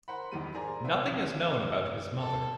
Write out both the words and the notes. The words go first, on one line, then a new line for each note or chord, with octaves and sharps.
Nothing is known about his mother.
A#4 C5 F#5 B5
E1 E2 D#3 G3 D#7
G#4 A#4 C5 D5 G#5 A#5
B3 C4 A#4 E5
E2
F5
A4